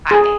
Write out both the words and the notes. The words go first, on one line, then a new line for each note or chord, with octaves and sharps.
I think.
G#4